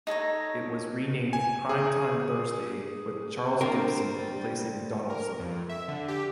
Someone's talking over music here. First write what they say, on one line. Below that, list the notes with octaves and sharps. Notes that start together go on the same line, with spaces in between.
It was renamed "Primetime Thursday" with Charles Gibson replacing Donaldson.
D#4 A4 C#5 A#5
G#5
G#4
D3 G3 A#3 C4 D4 A#4
A#4
F2
E5
D3
G4